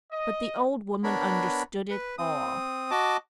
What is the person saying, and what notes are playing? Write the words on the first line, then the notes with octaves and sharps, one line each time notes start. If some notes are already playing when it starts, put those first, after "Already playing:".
But the old woman understood it all.
D#5
B3 D4 A#4 C#5 B5
B4
C4 D#6
F#4 D#5 A5 D6